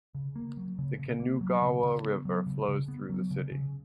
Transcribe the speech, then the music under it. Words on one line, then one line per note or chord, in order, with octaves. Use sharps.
The Kinugawa River flows through the city.
C#3
A#3
F#3
C#3
C#3
A#3
F#3
C#3
C#3
B3
F#3
C#3
C#3
B3
F#3
C#3
C#3